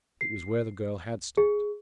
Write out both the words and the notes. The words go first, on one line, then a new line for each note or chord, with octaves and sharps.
It was where the girl had stopped.
C7
G#4